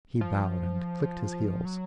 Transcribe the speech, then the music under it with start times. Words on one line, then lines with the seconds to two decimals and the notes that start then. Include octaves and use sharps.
He bowed and clicked his heels.
0.21 F3
1.65 F#3